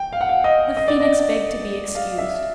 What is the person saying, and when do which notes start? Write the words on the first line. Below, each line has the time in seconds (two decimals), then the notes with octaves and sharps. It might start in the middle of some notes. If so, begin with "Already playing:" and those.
The Phoenix begged to be excused.
Already playing: G5
0.13 F5
0.21 F#5
0.29 F5
0.44 D#5
0.77 D#5
0.88 D5
1.00 D#5
1.95 F5
2.18 E5